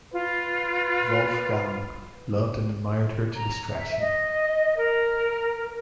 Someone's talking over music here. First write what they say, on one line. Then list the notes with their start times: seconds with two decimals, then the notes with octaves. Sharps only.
Wolfgang loved and admired her to distraction.
0.13 F4 B4
3.35 A#5
3.75 E5
3.99 D#5
4.78 A#4